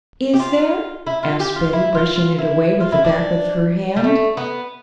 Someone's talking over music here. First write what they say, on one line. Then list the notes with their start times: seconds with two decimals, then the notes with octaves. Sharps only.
"Is there?" asked Betty, brushing it away with the back of her hand.
0.34 G4
0.39 F4
1.07 E4
1.23 F4
1.40 G4
1.56 F4
1.73 E4
1.95 F4
2.16 F4
2.38 E4
2.80 F4
2.92 E4
3.05 D4
3.96 G3
4.04 A3
4.37 B3